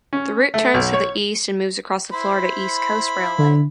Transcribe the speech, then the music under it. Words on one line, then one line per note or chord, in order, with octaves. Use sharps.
The route turns to the east and moves across the Florida East Coast Railway.
C#4
A3
B1
C#5
E4 C5 B5
D3